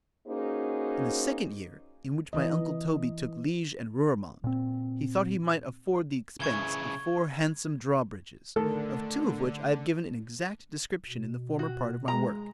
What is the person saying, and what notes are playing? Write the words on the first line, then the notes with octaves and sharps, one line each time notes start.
In the second year, in which my uncle Toby took Liege and Ruremond, he thought he might afford the expence of four handsome draw-bridges; of two of which I have given an exact description in the former part of my work.
A#3 C#4 D#4 F#4 G#4 C5
E3 D#5
A#2 C4
C#3 E3 C#6 G#6 G7
D3 D#3 A3 A4
B2
F#4
G#3 A#5